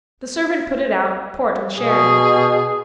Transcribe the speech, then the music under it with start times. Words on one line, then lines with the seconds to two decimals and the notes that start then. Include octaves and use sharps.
The servant put it out, port and sherry.
1.80 B2 G#4